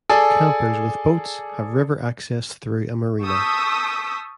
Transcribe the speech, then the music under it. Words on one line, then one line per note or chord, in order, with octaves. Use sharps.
Campers with boats have river access through a marina.
G#4 A4 D5 G#5
A5 C#6 D#6 E6 G6 B6